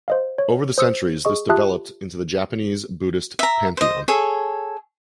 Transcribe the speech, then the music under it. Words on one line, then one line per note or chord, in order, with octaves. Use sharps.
Over the centuries this developed into the Japanese Buddhist pantheon.
C5 D#5 F5
C#5
C5 D#6 E6 C#7
G#4 D#5 C#6
F4 G4 E5 A5 D#6 F#6
E5 A#5
C5 D#5
G#4 A4 C#5